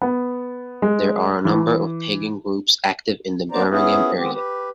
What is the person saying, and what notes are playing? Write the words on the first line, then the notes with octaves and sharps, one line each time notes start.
There are a number of Pagan groups active in the Birmingham area.
B3
G#3
E3
A#3 B3 D4 C5 D5 A#5
B3 C#4 E4 G#4
D#3 G#3 B3 C4 G4
G4 B4